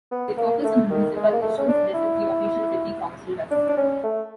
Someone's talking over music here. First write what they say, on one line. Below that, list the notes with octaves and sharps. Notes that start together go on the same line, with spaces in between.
They focus on municipal issues, just as the official City Council does.
B3
A#3
A3
D#3
G#3
A#3
A3
C#4
D4
E4
D4
D4
C#4
A3